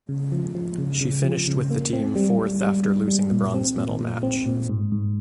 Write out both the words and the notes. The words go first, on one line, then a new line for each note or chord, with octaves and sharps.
She finished with the team fourth after losing the bronze medal match.
C#3
F3
F3
C#3
C#3
F3
C#3
A#3
C4
G3
G3
G3
G3
G3
A#2
C4
A#2
A#2
C4
A#2
G#2
G#2